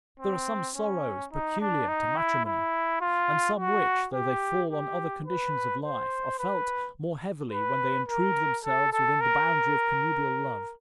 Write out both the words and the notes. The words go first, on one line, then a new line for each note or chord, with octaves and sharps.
There are some sorrows peculiar to matrimony; and some which, though they fall on other conditions of life, are felt more heavily when they intrude themselves within the boundary of connubial love.
C4
C#4
D#4
D4
D#4
E4
E4
F4
F#4
G4
G4
B4
C5
B4
B4
A#4
A4
A4
A#4